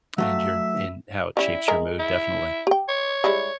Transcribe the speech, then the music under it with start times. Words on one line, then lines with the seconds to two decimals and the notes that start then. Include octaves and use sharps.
and your and how it shapes your mood, definitely.
0.18 F#3 A3 E5 F5
1.37 G3 C#4 E4
1.68 G#3 G#4 A#4
1.99 E4
2.67 G4 G5
2.89 C#5
3.24 G3 G#3 E4